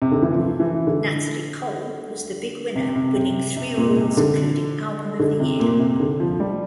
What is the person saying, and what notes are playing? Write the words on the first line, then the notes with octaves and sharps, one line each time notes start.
Natalie Cole was the big winner winning three awards including Album of the Year.
C3
D3
E3
F3
E3
D3
C3
C3
C3
C3
A#2
C3
D3
D3
C3
A#2
C3
D3
F3
G3